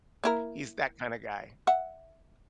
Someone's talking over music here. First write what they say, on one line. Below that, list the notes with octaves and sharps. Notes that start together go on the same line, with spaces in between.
he's that kinda guy.
A#3 E4 A#4
E5 F#5